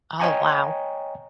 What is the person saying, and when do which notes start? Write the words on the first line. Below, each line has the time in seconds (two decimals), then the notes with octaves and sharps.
Oh, wow.
0.20 C#5 D#5 G5 G#5 A#5 C#6